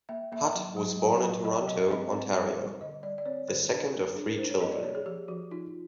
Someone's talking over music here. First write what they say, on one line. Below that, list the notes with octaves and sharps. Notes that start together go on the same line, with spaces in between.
Hutt was born in Toronto, Ontario, the second of three children.
A#3 E5
A#3 E5
F#3
F#3
F#3
F#3
F#3 D#5
F#3 D#5
C4 D#5
C4
G3
G3
D3 D#5
G3 D5
D5
C4 C#5
D3 C5
C5
D4 B4
A#3 A#4
D4 G#4
A#4
D4 C5
C#5
A#3 D#5
D5
A#3 C#5
G#4
F3 G4
F3 F#4
D#4 F4